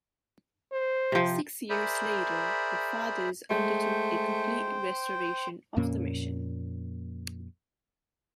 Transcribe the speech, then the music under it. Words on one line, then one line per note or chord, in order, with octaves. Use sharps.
Six years later, the fathers undertook a complete restoration of the Mission.
C5
C3 F3
G#4 A#4 C5 D5 E5 B5
G#3 A3 C5 G5
F2 A#2 A#3 C#4